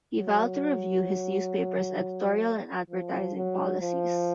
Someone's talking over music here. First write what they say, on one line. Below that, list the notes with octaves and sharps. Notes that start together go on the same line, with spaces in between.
He vowed to review his newspaper's editorial and advertising policies.
F#3
F3
F#3
F3